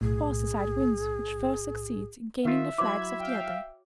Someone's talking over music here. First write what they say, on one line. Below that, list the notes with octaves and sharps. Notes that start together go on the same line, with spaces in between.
Of course the side wins which first succeeds in gaining the flags of the other.
B1 A2 G#4
D#3 F4 E5
F#3 E4 F#4 C#5 B5 D6 G#6
F5 G5